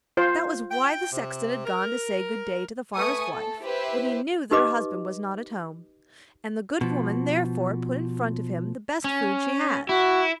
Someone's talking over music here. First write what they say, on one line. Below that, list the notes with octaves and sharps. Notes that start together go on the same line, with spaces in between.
That was why the sexton had gone to say good-day to the farmer's wife when he knew that her husband was not at home, and the good woman therefore put in front of him the best food she had.
F4 C5 F5
G5
C3
A#4
A3 B4 G#5 C#6 D#6
A4
E4 G4 B4 C5 E5
D#4 G4 B4 D#5 D6
B2 F3
C#4
E4 F#4